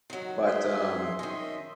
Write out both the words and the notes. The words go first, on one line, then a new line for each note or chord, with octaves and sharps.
But, um,
D#3 F#3
G#4 E5 C6
D#3 C#4 D#5 E5 C6